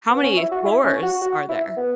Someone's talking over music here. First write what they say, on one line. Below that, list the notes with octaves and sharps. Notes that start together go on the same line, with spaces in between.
How many floors are there?
B3
C#4
E4
F#4
E4
C#4
F#4
F#4
E4
B3